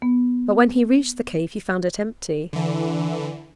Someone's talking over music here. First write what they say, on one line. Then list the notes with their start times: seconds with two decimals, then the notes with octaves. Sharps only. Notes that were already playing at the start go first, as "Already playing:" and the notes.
But when he reached the cave he found it empty.
0.02 B3
2.53 D3 E3